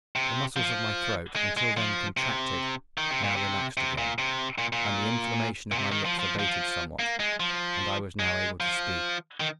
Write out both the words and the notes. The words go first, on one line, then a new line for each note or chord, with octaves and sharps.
The muscles of my throat, until then contracted, now relaxed again; and the inflammation of my lips abated somewhat; and I was now able to speak. .
C3
F3
G#3
G#3
F3
C3
D#3
C3
A#2
C3
C3
A#2
C3
A#2
A#2
A#2
C3
D#3
F3
F3
F3
A#3
G#3
F3
G#3
F3
D#3